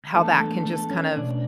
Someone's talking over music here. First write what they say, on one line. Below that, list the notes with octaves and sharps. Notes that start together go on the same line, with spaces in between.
how that can just kind of
E3 A3 B3 D4 A4
A3 A4
A3 A4
C#4 C#5
B2 A3 C#4 D4 D5